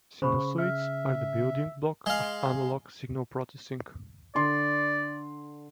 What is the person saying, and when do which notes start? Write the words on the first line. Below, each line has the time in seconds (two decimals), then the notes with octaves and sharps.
Sinusoids are the building block of analog signal processing.
0.22 C#3 C5 B5 C#6
0.58 E5 F6
2.06 G#3 F5
4.35 D3 D5 C6